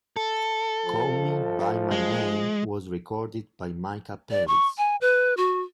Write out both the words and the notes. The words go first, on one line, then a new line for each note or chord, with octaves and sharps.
"Call Me by My Name" was recorded by Mica Paris.
A4
F3
G#3
D5
C#6
G#5
B4
F#4